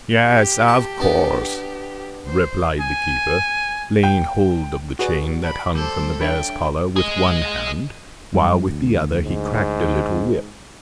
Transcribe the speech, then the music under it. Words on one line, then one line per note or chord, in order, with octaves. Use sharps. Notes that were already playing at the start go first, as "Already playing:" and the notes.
"Yes, of course," replied the Keeper, laying hold of the chain, that hung from the Bear's collar, with one hand, while with the other he cracked a little whip.
G4
A5
B3 D4
C5
G#5
G5
F#4 G#4 B4 D5 F#5
A5 B5 D7
G3 A4 C5 G7
D4 C#5 E5 G5 B5
G#4 D#5
F#2 G3
D2
G#2